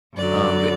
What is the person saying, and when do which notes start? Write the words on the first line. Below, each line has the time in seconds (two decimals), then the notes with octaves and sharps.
Um, i
0.15 F#2 D3 F#3 D5